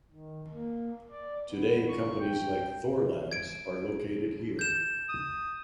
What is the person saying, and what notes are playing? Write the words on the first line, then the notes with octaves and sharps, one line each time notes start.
Today, companies like Thorlabs, are located here.
D#3
A#3
D5
B3
C#6
G5
G#6 D7
G6 E7
D#6